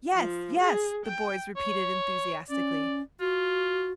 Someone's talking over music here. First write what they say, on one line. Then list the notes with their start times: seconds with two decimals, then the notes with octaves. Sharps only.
"Yes, yes," the boys repeated enthusiastically.
0.14 F3
0.61 G#4
1.06 G5
1.57 C#5
2.50 C#4 D5
3.20 F4 F#4